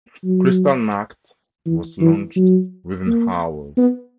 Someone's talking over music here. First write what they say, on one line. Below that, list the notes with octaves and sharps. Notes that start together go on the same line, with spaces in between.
"Kristallnacht" was launched within hours.
F#3
E3
E3
F#3
A#3
B3